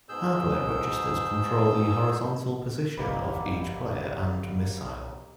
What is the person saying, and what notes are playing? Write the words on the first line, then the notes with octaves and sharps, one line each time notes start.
Hardware registers control the horizontal position of each player and missile.
G#2 B2 G#4 E6 G6
G1 G3 A#3 G4 B4 D#5